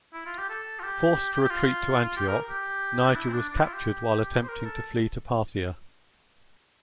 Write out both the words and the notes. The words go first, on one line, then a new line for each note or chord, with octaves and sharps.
Forced to retreat to Antioch, Niger was captured while attempting to flee to Parthia.
E4
F4
G4
A4
F4
G4
G4
F4
G4
A#4
G4
D4
E4
C4
D4
D4
E4
F4
G4
C5
A#4
A4